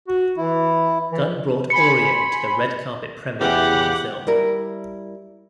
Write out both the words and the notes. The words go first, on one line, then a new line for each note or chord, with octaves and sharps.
Gunn brought Oreo to the red carpet premiere of the film.
F#4
E3 E4
E3
G#5 B5 C6 C#7
E2 C#3 E3 G4 F#5 D6
G3 E4 A#4